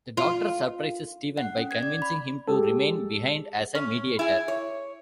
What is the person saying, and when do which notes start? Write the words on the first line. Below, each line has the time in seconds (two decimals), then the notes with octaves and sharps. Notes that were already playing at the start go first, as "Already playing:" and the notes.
The Doctor surprises Steven by convincing him to remain behind as a mediator.
0.17 F4
1.38 F#5
1.58 C#4
1.71 G#6
1.83 D5
2.02 B5
2.47 G#3 G4 A4
3.75 C#4
4.19 E4 G#4
4.48 C#5